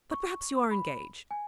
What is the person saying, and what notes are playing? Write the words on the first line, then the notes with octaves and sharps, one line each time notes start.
'But perhaps you are engaged.
C#6
B5
G#5